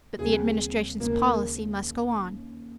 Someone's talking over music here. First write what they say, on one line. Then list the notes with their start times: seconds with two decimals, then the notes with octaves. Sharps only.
But the Administration's policy must go on.
0.18 D#2 C#3 G3 C4 G#4
1.00 D#2 C#3 G#3 A#3
1.21 A#3